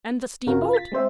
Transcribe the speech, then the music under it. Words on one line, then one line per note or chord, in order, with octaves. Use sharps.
"And the steamboat?"
G1 C#3 F4 F#4 A#4
F4
A6 B6
G#3 C4 C5 E5